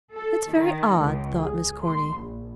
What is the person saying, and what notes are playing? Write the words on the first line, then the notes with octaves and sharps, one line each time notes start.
"It's very odd," thought Miss Corny.
A4
D#3
C#2
G#4
C6
A#1